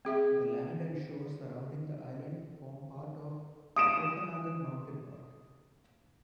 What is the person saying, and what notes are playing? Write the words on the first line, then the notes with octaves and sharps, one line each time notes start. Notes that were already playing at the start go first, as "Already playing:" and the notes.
The land and shore surrounding the island form part of Okanagan Mountain Park.
C4 G#4 E5
D#6 D7 E7